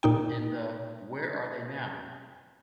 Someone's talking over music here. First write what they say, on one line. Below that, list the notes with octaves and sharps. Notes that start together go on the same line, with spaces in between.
In the Where Are They Now?
A#2 D#4 G5